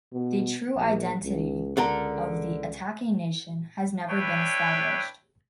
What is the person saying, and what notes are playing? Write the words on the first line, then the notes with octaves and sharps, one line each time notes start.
The true identity of the attacking nation has never been established.
B2
A#1
C#2
C#2 D3 A4 A#4
D4 E4 B4 C#5 G5